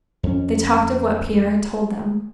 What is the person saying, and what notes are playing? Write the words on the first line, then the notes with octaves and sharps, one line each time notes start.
They talked of what Pierre had told them.
F2 C#4